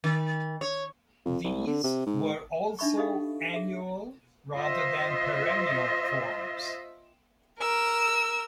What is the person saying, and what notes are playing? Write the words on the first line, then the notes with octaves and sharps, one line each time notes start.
These were also annual rather than perennial forms.
D#3
C#5
F2
C2
D3
C3
G#2
D4 D#4 E5 B5 C#6
D#4 G4 A4 D#5 F5
G#4 E5
F4 C5 D#5 E5
A#4 E6